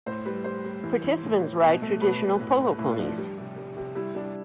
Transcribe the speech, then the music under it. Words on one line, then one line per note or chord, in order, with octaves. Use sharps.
Participants ride traditional polo ponies.
A2 C5
G3 B4
G3 C5
G3
E3
E3
A2
A2
B2
A3
B2 B4
B2
A2
A3
A2 E4
F3 D4
G3
C3
G3
C3
G3 E4
G3 D4